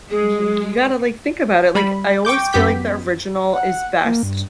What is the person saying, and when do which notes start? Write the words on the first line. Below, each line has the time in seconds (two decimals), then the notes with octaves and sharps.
you you gotta, like, think about it, like, I always feel like the original is best,
0.11 G#3 G#4
1.75 G3 B5
2.25 G5 C#6 D6 G6
2.53 F#2 B3 G4 G6 B6
3.53 F#5
4.04 A#3
4.23 G2